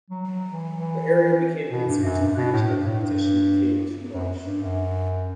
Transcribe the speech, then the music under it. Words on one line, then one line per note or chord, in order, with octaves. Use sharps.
The area became easier to reach and competition became too much.
F#3
F#3
E3
E3
B2
G2
F#2
G2
B2
A2
G2
A2
G2
F#2
G2
F#2